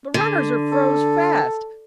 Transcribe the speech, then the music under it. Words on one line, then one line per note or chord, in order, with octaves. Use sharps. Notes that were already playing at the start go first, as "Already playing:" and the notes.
The runners are froze fast.
D3
A4